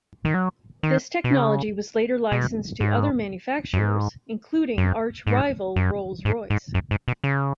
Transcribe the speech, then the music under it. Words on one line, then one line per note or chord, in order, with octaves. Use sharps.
This technology was later licensed to other manufacturers, including arch-rival Rolls-Royce.
D#3
F#3
D#3
B2
C#3
B2
G#2
F#2
G#2
F#2
G#2
F#2
G#2
G#2
F#2
G#2
B2
C#3